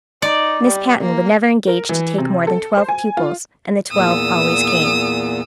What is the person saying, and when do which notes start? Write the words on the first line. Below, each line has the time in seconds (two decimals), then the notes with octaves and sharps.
Miss Patten would never engage to take more than twelve pupils; and the twelve always came.
0.22 D#4 D5
0.64 G3
1.01 A#3
1.67 A#4
1.89 E3
2.18 C3
2.47 A4
2.77 C5
2.89 G#5
3.17 F4
3.91 E2 A#2 D#6 E6